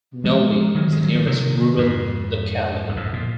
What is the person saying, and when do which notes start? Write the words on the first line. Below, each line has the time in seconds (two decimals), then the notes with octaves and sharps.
Novy is the nearest rural locality.
0.24 F3 G#3
0.75 D#3 F#3
0.92 G#3
1.04 F#3
1.15 F3
1.27 C3 D#3
1.78 F2 G#2
2.89 F#2
2.96 F2 G#2
3.13 A#2